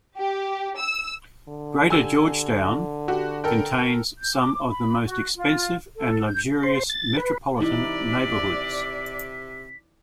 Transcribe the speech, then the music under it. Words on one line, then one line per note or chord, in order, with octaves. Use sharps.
Greater Georgetown - contains some of the most expensive and luxurious metropolitan neighbourhoods.
G4
E6
D3
G4 G#5 E6
F#4 G4
A4 A#4 G5
G6
D6
B5
F#4
F4
A4
G6
C5
A6
B4
C3 D#4 E4 D5 B6